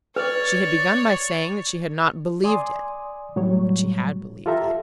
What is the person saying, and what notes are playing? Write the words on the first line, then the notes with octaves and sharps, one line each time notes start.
She had begun by saying that she had not believed it;--but she had believed it.
B4 C#5 D5
D5 G#5 C6 D#6
A2 F#3 G3 C#5
F4 G4 A4 E5 A#5